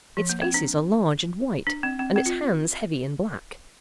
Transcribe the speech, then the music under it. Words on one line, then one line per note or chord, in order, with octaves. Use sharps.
Its faces are large and white, and its hands heavy and black.
F3
A#3
C4
D4
D4
C4
C4
C4
F4